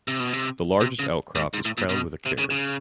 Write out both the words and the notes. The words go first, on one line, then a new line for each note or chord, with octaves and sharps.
The largest outcrop is crowned with a cairn.
C3
B2
C3
C3
C#3
G#2
G#2
A2
A#2
B2
C3
C#3
C#3